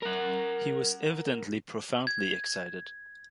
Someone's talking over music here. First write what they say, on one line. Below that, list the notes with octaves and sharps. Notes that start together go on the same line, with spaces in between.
He was evidently profoundly excited.
A#4 F#5
G#6